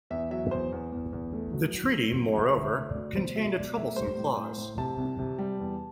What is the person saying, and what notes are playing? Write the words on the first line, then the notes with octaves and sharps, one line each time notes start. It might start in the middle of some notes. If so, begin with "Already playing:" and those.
The treaty, moreover, contained a troublesome clause.
E2 E5
F#3 E5
E2 C5
E2
E2
E2
A3
F#3
F#3
A3
F#3
D2 E5
D3
E5
A3
D5
D2
B2 C5
F#3 E5
B2 D5
A3 E5
G3 C5
A2
A2
A2
C3 A5
C2
C3
G3
E2